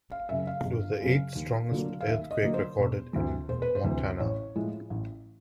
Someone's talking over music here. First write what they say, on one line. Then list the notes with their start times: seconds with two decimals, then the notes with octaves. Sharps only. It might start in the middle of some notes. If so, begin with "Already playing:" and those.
It was the eighth-strongest earthquake recorded in Montana.
0.11 F5
0.29 F#2 C#3 E5
0.47 F5
0.65 G1
1.00 F#2 C#3
1.35 D#2
1.71 D3 F#3 A#3
2.01 F5
2.07 D#2 E5
2.31 D#5
2.42 D3 F#3 A#3
2.54 C5
2.78 E1
3.13 D2 C3 E3
3.49 E1 C5
3.62 B4
3.75 C5
3.84 D2 C3 E3
4.20 A1 C#5
4.55 A2 F3 G#3
4.90 A1